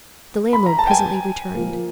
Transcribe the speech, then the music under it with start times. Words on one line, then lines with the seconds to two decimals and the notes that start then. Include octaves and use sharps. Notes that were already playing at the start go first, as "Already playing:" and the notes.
The landlord presently returned.
0.53 B5
0.66 A#5
0.79 A5
0.87 G5
0.91 G#5
1.55 A#2 F3 A#3